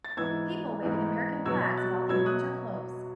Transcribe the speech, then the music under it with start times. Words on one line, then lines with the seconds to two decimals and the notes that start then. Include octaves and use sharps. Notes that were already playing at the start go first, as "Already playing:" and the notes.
People waving American flags while in winter clothes.
0.05 A6
0.17 G#2 E3 B3 E6 G#6
0.82 G#2 E3 B3
1.45 B2 F#3 B3 E6 G#6
1.77 F#6 A6
2.09 B2 F#3 B3 E6 G#6
2.26 D#6 F#6